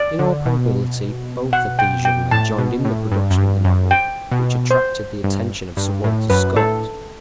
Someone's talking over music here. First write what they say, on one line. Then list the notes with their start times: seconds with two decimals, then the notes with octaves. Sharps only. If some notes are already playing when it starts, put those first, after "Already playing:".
In all probability, both of these young men joined in the production of the novel which attracted the attention of Sir Walter Scott.
Already playing: D5
0.19 D3
0.45 B2
1.53 F#5
1.79 G5
2.05 G5
2.31 A2 A5
2.58 B2
2.85 A2
3.12 G2
3.30 F#2
3.38 G2
3.65 F#2
3.91 G5
4.31 B2
4.71 C5
5.24 G2
5.77 G2
6.04 A2
6.30 F#2 B4
6.56 A2 A4